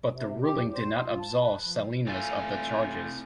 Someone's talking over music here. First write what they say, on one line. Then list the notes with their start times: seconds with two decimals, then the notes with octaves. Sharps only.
But the ruling did not absolve Salinas of the charges.
0.12 C3
0.29 B2
0.41 G4
0.54 E2
0.72 C5
0.90 D#2
1.07 F4
1.20 A5
1.39 B4
1.62 F3
2.07 C3 E3 A3 F4 G#5